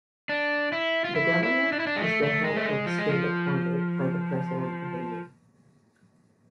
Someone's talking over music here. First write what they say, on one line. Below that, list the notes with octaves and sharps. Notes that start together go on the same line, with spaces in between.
The Governor is the head of state appointed by the President of India.
D4
E4
F4
E4
E4
D4
E4
D4
G#3
A3
A3
G#3
A3
G#3
F3
G#3
F3